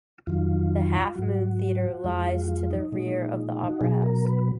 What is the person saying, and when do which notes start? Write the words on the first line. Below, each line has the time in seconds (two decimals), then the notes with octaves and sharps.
The Half Moon Theatre lies to the rear of the Opera House.
0.27 F2 D#3 F#3 F4
1.15 G#2 F#3 F#4
2.04 F2 F3 G#3 F4
2.26 F4
2.41 F#4
2.48 F4
2.70 D#4
2.92 A#2 F3 G#3
3.70 F#4
3.81 B2 F#3 G#4
4.03 A#4
4.25 B4